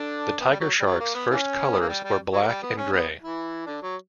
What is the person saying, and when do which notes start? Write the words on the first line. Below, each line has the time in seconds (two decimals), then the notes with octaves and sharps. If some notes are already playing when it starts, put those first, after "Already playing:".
The Tiger Sharks' first colors were black and gray.
Already playing: D3 D4
0.41 B3
0.51 G3
0.60 F#3
0.80 G3
0.86 F#3
1.00 A#3
1.15 B3
1.30 E3 A#3 C#4
1.73 B3
1.80 A#3
1.89 G3
2.04 G3
2.33 F#3
2.42 A#3
2.48 G3
2.63 B3
2.78 C#4
2.92 B3
3.22 E3 E4
3.66 D3 D4
3.82 F#3